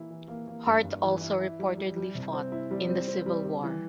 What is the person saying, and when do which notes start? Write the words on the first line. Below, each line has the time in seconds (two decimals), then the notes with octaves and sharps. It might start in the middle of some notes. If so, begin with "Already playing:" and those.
Hart also reportedly fought in the Civil War.
Already playing: E3 A#3 E4
0.10 E3
0.28 A#3
0.47 A#3
0.66 G2
0.84 G2
1.03 E3
1.21 E4
1.40 E4
1.59 G3
1.77 G3
1.96 G3
2.15 C3
2.33 C4
2.52 E4
2.71 G3
2.88 C4
3.08 C4
3.26 G3
3.44 G3
3.63 E3